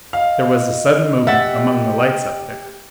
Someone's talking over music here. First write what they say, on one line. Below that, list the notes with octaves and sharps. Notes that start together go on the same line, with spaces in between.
There was a sudden movement among the lights up there.
D#5 F5
G4 E5 F#5 A6